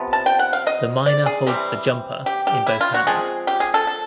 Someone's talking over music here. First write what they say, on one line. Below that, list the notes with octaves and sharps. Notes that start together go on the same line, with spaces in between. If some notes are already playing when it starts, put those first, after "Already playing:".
The miner holds the jumper in both hands.
Already playing: C3 F3 B3
A5
G5
F#5
F5
D#5
D5
G#4
C3 E3 G3 C4
G4
G4
E4
F4
F#4
F3 G#3 C4 G#4
G4
G#4
A4
A4